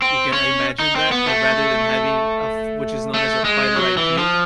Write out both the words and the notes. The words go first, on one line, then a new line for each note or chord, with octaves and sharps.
You can't imagine that that rather than having a f which is known as a fighter IQ,
C4
C#4
D#4
C4
B3
A3
A3
G#3
F#3
E3
F3